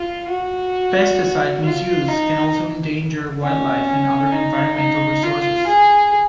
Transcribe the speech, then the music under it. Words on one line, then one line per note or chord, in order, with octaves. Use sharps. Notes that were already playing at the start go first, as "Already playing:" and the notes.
Pesticide misuse can also endanger wildlife and other environmental resources.
Already playing: F4
F#4
F4
D#4
C#4
D#4
D#4
F4
G#4